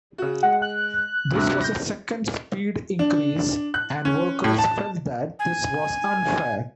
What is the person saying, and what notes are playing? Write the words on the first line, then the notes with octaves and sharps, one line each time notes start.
This was a second speed increase, and workers felt that this was unfair.
C#3 F#4
G#3 F#5
F#6
D2 G2 C3
G6 A#6
D4
F#6
C#4
A2
A5
G#5